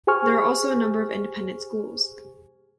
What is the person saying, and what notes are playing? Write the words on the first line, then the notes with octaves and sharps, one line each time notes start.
There are also a number of independent schools.
G4 G#4 C5 G#5 C#6 F6